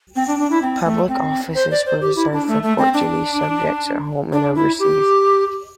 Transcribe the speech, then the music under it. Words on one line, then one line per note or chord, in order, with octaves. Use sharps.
Public offices were reserved for Portuguese subjects at home and overseas.
C4
D4
D4
E4
C4
A3
C4
C5
D5
C5
G4
E4
D4
A3
A3
C4
D4
D4
E4
G4